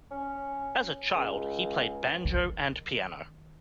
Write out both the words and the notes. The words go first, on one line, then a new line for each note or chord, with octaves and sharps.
As a child, he played banjo and piano.
C#4
C#2
D#3